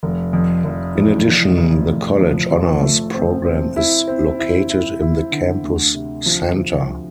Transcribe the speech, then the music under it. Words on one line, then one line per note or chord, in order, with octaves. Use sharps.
In addition, the College Honors Program is located in the Campus Center.
F1
F2
F1
E3
F1
F1
A2
F3
F3
A3
C4
C4
E4
C4
E4
E4
E4
D3
D2
C3
F3
F3